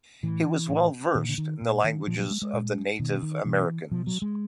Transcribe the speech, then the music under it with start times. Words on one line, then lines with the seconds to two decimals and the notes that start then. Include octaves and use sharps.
He was well versed in the languages of the Native Americans.
0.23 A2 E3
0.69 A2
1.15 A#2 D#3
1.29 D3
1.38 D#3
1.61 A#2
1.84 D#3
2.07 A#2 F3
2.19 F#3
2.31 G#3
2.42 G#3
2.53 A#2
2.99 B2 D#3
3.22 D#3
3.45 B2 E3
3.91 B2 F3
4.07 F#3
4.22 G#3